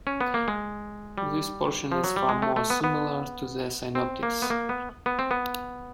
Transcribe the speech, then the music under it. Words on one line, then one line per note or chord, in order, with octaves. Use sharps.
This portion is far more similar to the synoptics.
C#4
B3
A#3
G#3
G3
F3
F#3
G3
G#3
A3
A3
B3
B3
C4
A#3
B3
A#3
B3
B3
C4
B3